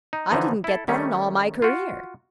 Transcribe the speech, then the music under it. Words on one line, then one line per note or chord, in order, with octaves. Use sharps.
"I didn't get that in all my career."
D#4
D3 E3 F3 D#4
E4 A4
D#3 G3 A3 C#4
F4 F#4